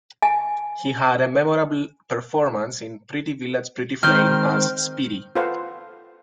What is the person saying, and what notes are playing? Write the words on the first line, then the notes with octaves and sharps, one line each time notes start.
He had a memorable performance in "Pretty Village, Pretty Flame" as Speedy.
G#5
D#3 G#3 C4 F6 G6
F4 A4 B4 C5 F5 F#5